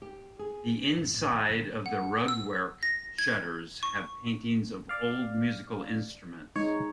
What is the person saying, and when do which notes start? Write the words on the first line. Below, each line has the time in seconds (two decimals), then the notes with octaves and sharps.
The inside of the 'rugwerk' shutters have paintings of old musical instruments.
0.02 G4
0.39 G#4
0.97 F#2
1.14 A1
1.31 F4
1.49 D3
1.86 F#5
2.28 E6
2.83 A#6
3.19 G#6
3.83 C#6
4.89 D5 F5
6.56 G#3 D#4 C#5